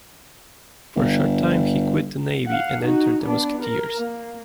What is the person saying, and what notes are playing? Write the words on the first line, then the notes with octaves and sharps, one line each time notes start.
For a short time he quit the navy and entered the musketeers.
G1
F5 F#5
D#4 F#4
B3 D4
A#4
A#3